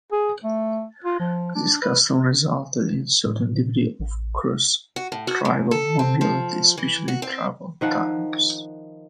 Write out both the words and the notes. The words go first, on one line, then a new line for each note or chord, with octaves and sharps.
This custom resulted in a certain degree of cross-tribal mobility, especially in troubled times.
G#4
A3
F4
F3
D4
B4
A2
A#2
A1
F#4
A2
F#4
F#2
A4
C4
F3
E3
F#4
C4
D#3 F3 F#5